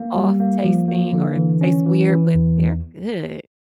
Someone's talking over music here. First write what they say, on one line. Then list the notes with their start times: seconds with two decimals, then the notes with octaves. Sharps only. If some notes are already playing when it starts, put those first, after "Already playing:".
off tasting or it tastes weird but they're good.
Already playing: A#3
0.15 G3
0.40 A#3
0.64 F3
0.88 A#3
1.13 D3
1.37 E3
1.61 C#4
1.86 E3
2.10 E3
2.34 E2
2.59 E2